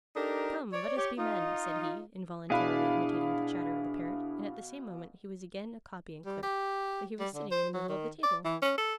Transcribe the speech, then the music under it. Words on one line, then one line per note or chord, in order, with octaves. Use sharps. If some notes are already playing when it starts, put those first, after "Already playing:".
"Come, let us be men!" said he, involuntarily imitating the chatter of the Parrot, and at the same moment he was again a copying-clerk; but he was sitting in the middle of the table.
D4 D#4 G4 A4 A#4
C#5 D5
G4 C#5
D#4 F4
B2 D4 E4 G#4 F5 B5
G3
G4
G3
D3
C5
F#3
D#3
D5
E3
C#4
A4